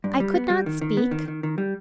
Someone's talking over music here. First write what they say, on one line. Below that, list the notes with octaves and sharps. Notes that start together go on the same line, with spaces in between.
I could not speak.
G2
G3
B3
G3
D#3
D#3
B3
D#3
D#3
D#3
G3